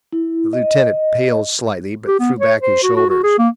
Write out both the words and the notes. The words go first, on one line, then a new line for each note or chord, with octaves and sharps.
The lieutenant paled slightly, but threw back his shoulders.
E4
D#5
G4
B3
C#5
C5
F#4
F#4
F#4
G#4
A#3